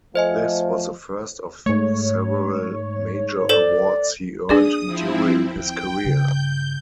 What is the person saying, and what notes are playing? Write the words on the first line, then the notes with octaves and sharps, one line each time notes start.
This was the first of several major awards he earned during his career.
F3 A3 C5 D#5 G#5
G#2 A3 C#5
A4 C5 D5 E7
A#3 D4 G#4 D5 D#6
F3 C4 E4
D#2 G5
G2 C#3 G6